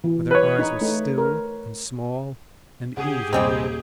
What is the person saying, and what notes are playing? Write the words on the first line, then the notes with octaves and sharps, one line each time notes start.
For their eyes were still, and small, and evil.
E3
B4 C#5
D#4
A3 D#4
A#4
C#3 G4 G#4 F#5
D#1 G2 C3 G3 G#3 C4 D#5 D#6